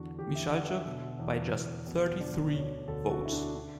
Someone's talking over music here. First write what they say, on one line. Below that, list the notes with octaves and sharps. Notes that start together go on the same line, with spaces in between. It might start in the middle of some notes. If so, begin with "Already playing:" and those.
Michalchuk by just thirty-three votes.
Already playing: E2 D3 F#4
E2 G4
E5
D3 F#5
E5
B2
E2
E2
B2
D3 D5
D5
D2 C#5
D2 A4
F#4
D3 E4
D4
D4